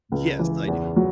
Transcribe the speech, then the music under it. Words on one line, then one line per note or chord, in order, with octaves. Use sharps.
Yes, I do.
C#2
E3
E2
F#3